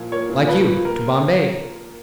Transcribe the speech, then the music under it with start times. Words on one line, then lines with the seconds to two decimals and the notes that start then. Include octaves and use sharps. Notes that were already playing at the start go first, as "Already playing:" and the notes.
"Like you, to Bombay."
Already playing: A#2 F3
0.12 A#3 C#5
0.29 A#2
0.48 F3 B4
0.66 A#2
0.85 A#3 A#4